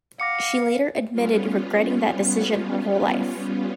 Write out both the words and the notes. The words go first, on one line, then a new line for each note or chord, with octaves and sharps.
She later admitted regretting that decision her whole life.
F5 F#5 D6 A#6 C#7
G3 B3 C#4 F4